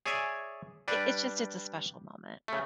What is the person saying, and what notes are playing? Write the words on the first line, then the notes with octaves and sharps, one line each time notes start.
it it's just it's a special moment.
G#4 C#5 D5 E5 G#5
G3 D4 B4 D5
C#3 A3